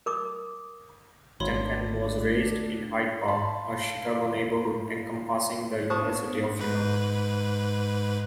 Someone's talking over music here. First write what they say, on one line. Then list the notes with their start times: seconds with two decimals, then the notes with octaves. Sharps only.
Duncan was raised in Hyde Park, a Chicago neighborhood encompassing the University of Chicago.
0.06 A#4 D6 D#6
1.40 G#1 D2 D4 C#5 B5 C6
3.28 F5 A5 B5 C6
5.90 B3 D4 C5 F5 A5 C#6 D#6
6.59 G#2 B4